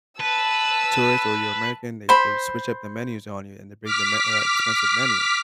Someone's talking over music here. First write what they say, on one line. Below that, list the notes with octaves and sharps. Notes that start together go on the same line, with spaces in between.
a tourist or you're American, they they switch up the menus on you and they bring the me uh, expensive menu. You
B4 A5 E6
C5 B5
D6 F6 B6